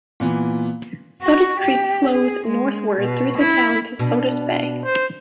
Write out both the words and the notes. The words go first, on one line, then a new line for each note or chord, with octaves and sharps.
Sodus Creek flows northward through the town to Sodus Bay.
A#2 E3 B3
F#4
G4
G#4
G#3
B2
E4
B2 D4
C5